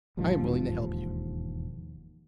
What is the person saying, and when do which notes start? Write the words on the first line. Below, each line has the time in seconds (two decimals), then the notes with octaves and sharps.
I am willing to help you.
0.17 E1 D#2 G#2 F3